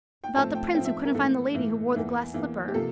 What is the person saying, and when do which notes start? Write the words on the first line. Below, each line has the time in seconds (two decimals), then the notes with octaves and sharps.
"About the prince who couldn't find the lady who wore the glass slipper."
0.24 G5
0.35 A2 F3 A3 C4 A5
0.55 G5
0.75 A2 F3 A3 C4 G5
0.85 E5
1.05 A#4
1.14 A2 E3 A#3 A4
1.55 A2 E3 A#3
1.94 E2 E3 A#3
2.34 E2 E3 A#3
2.68 G4
2.74 C3 F3 A#3 A4